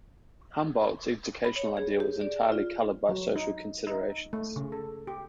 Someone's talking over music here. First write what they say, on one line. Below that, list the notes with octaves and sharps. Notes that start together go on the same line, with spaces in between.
Humboldt's educational ideal was entirely coloured by social considerations.
B5
C#5
G#4
G4
D5
F4
F#3
D#4
D#4
A3
C#3
A4
G4